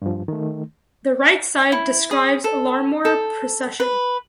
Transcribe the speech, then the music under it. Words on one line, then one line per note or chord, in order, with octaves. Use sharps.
The right side describes Larmor precession.
G2 F3
D#3 A3
E4
G#4
A4
A4
B4